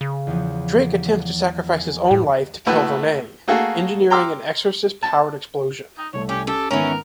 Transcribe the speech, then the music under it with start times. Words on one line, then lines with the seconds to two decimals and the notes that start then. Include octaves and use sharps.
Drake attempts to sacrifice his own life to kill Varnae, engineering an Exorcist-powered explosion.
0.01 C#3
0.27 E2 E3 F3
1.75 G#4
2.11 A2
2.66 A#1 A3 E4 F#4 B4
3.48 A3 A#3 F#4 G#4 A4 F5
4.10 G5 A#5 C6 D6 E6 F6
5.03 A5
5.98 D#4
6.13 C2 A3 C#5
6.29 C#4 G4
6.47 C#4 G4 A4
6.71 G#2 D#3 E3 B3 C#4 A#4